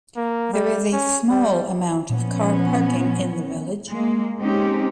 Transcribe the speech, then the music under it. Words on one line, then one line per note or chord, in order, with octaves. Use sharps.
There is a small amount of car parking in the village.
A#3
G3
C#4
G3
A#2 F3 B3 C#4
G#3 A#3
G#3 C4 C#4 D#4 G4